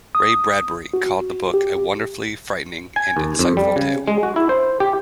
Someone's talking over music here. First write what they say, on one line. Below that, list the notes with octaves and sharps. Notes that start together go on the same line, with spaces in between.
Ray Bradbury called the book "a wonderfully frightening and insightful tale".
D#6
F#4
G4
G#5
D#2
F2
G3
C#3
G#3
F#4
E4
C5
G4